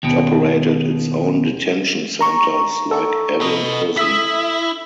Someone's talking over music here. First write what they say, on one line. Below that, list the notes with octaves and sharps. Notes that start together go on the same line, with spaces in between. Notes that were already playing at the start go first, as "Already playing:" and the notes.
It operated its own detention centers, like Evin Prison.
D#2 B2
A#5 C#6
A4
B4 D#5
E4 D#6 E6 B6